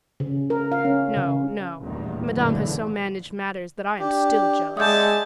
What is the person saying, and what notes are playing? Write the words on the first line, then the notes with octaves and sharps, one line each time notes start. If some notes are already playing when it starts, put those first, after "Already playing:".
"No, no. Madame has so managed matters, that I am still jealous."
C#3
A#4
F5
C#4
C#3
A1 E2 G2 A#2 D#3
F#1 B1 F#2 A2 D3 E3
D4 G4
G#3 D5 E5 F#5 G#5 A5 D#6 G6